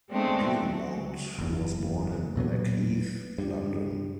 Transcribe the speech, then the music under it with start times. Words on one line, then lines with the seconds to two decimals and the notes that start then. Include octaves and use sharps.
Beaumont was born in Blackheath, London.
0.10 G#3 A3 B3 C4 D4
0.47 F#3
1.39 F#1 E2
2.36 E1 A#2 F#3 B3
3.38 G2